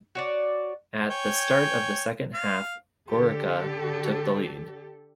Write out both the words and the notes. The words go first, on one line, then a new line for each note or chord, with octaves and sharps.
At the start of the second half, Gorica took the lead.
F#4 C#5 D5
C#5 G5 G#5
F5
D3 G4 A4